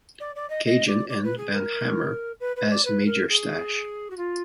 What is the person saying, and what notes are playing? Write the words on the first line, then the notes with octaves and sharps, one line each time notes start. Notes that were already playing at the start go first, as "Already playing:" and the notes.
Cajun, and Van Hammer as Major Stash.
D5
D5
D#5
D#5
D5
D5
B4
G#4
A#4
B4
B4
D5
B4
A#4
G#4
F#4
F4